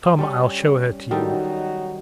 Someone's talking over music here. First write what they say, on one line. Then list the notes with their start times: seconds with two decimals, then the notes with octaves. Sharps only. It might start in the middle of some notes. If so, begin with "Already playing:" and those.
Come, I'll show her to you.
0.19 G3 C#4
1.11 D#3 F#3 G3 D#4 F#4 A4